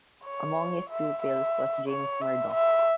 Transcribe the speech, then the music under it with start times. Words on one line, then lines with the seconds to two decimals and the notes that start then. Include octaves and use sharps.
Among his pupils was James Murdoch.
0.25 C#5
0.90 E5
1.23 E5
1.88 C#5
2.21 E5
2.54 E5